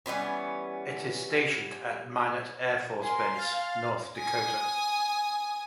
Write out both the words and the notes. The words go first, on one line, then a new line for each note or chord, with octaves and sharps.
It is stationed at Minot Air Force Base, North Dakota.
E3 G3 B3 C#4
A#4 G#5 C6
F5 A6
G#5 D#6